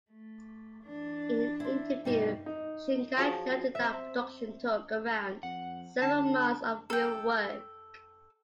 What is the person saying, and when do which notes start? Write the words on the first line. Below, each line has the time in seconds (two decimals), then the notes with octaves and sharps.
In an interview, Shinkai noted that production took around seven months of "real work".
0.10 A3
0.83 E3 D4
1.60 E4 C5
2.05 G2 B2 G3 A#3 D#4
2.46 D#4
3.17 F3 F#3 G#4
3.75 C4 E5
5.43 F2 F#5
6.02 D3 A5
6.90 A4 G5